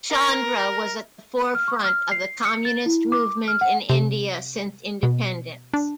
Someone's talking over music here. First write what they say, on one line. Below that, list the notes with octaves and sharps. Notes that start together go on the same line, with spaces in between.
Chandra was at the forefront of the communist movement in India since independence.
A#4
F6
C#6
F6
C7
C#7
A6
E4
D6
F6
F#5
C3
B2
D4